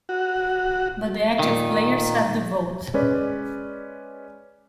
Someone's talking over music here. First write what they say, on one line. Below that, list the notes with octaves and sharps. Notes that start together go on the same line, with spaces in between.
But the active players have the vote.
F#4
A#2 D#3
G#3 C#4 B4 D5